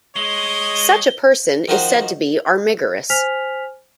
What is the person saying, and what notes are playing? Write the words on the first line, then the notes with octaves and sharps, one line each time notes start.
Such a person is said to be armigerous.
G#3 C#5 D#5 G7
D#3 F3 F#4 A#4 C5
C5 G#5 F6 B6 F7